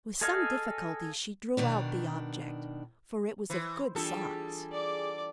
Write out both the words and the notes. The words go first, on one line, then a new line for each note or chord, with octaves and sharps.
With some difficulty she drew out the object, for it was of good size.
G#4 A4 D#5 F5 G#5
B2 D#3 D4
E3 C5
E3 G3 D4 F4 G#4 A4
D5 D6